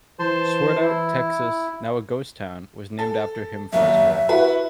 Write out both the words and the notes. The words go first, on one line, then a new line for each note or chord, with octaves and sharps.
Swartout, Texas, now a ghosttown, was named after him for his role.
E3 C5 A5 C6
E4
A4
F#1 D#2 E5
E4 F#4 B4